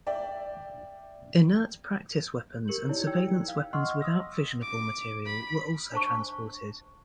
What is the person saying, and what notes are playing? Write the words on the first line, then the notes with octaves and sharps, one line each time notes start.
Inert practice weapons and surveillance weapons without fissionable material were also transported.
D5 E5 G5
G4 A#4 C#7 F#7
D#4 E4 C#5 D5
G5 E6 G#6
F5
D#5 F#5 C6 C#6 E6 F6
D#6 E6 A#6
D6
B5
D4 C5 A5 C#6